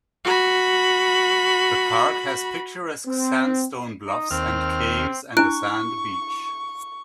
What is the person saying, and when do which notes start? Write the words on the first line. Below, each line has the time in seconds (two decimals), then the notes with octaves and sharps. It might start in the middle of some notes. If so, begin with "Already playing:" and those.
The park has picturesque sandstone bluffs and caves and a sand beach.
0.25 F#4 B5
3.06 C4
4.07 D#4
4.31 D#2 C4 F6
5.37 D4 E4 C#6 F#6 D7